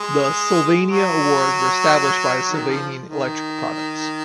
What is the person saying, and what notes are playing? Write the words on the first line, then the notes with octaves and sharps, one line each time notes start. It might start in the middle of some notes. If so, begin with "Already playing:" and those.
The Sylvania Awards were established by Sylvania Electric Products.
Already playing: G#3
F#3
D#3
F3
D#3